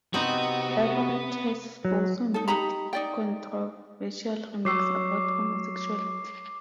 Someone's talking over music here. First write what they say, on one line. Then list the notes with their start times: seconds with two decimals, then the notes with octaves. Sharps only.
Everett has also made controversial remarks about homosexuality.
0.14 C3 B3 C4 D#4 F#4 B4
1.85 F#3
2.34 D#4 A4
2.48 D#4 G4 A#5 B5
2.93 D#4 D5 G5
4.65 F#3 C#5 C#6 D6 E6 C7